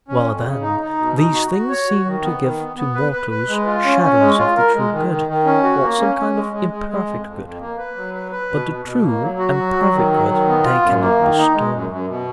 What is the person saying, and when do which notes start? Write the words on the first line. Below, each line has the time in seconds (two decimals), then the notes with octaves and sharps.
'Well, then, these things seem to give to mortals shadows of the true good, or some kind of imperfect good; but the true and perfect good they cannot bestow.'
0.08 C#4
0.26 F2
0.44 C#3
0.62 D#4
0.80 D#4
0.98 B2
1.16 D#4
1.34 F#4
1.51 F#4
1.70 C#5
1.87 F#4
2.05 D#3
2.23 B3
2.41 D#3
2.58 B3
2.77 B3
2.95 B4
3.13 B4
3.30 B4
3.48 G#3
3.66 F4
3.84 C#4
4.02 C#4
4.20 G#3
4.38 F4
4.56 A#4
4.74 G#3
4.91 D#3
5.09 D#3
5.27 D#3
5.45 C#4
5.63 F#4
5.81 A#3
5.99 C#4
6.17 C#4
6.35 G#3
6.53 G#3
6.71 G#3
6.88 G#3
7.07 F2
7.24 F2
7.42 F2
7.60 A#3
7.78 B4
7.96 F#3
8.14 B4
8.32 B4
8.50 B2
8.68 B2
8.85 B2
9.03 A#3
9.21 F#3
9.39 F#4
9.57 F#3
9.75 F#3
9.93 D#3
10.11 F#3
10.29 D#3
10.47 B3
10.64 F4
10.82 F#2
11.00 A#3
11.18 D#3
11.36 D#4
11.54 G#3
11.72 F#2
11.90 F#2
12.08 B2